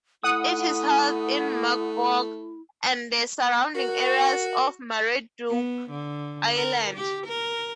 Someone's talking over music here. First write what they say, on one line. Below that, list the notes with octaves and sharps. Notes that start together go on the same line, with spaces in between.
It is held in Mogpog and the surrounding areas of Marinduque island.
A3 E4 F#5 D#6
F#4 A#4
B3
D3
A#4
G4
A#4